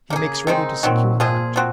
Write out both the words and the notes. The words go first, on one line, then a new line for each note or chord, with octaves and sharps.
He makes ready to secure that object.
C#3 A#3 D#4
G#4
D#3 G#3 C4 D#4
A#2 D#3 F#3 C4
F3 C4 F4 G#4
F3 C4 F#4